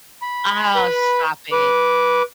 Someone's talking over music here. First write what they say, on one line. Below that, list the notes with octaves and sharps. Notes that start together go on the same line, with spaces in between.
Oh, stop it.
B5
B4 B5
B4 D6